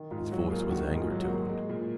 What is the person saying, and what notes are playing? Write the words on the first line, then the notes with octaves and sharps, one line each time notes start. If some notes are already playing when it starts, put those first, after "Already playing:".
His voice was anger-toned.
Already playing: D#3
G#2 F4
F#3 F#4
A#3 F4 G#4
D#3 F#4
G#2
F4 G#4
F#3
F#4
A#3
G#3
A#2